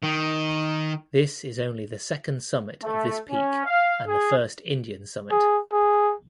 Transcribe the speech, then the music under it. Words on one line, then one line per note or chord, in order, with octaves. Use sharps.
This is only the second summit of this peak and first Indian summit.
D#3
A3
C#4
F5
G#4
G#4
G#4